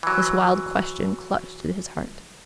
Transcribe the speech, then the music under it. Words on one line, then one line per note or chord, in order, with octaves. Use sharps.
This wild question clutched at his heart.
E3 F#3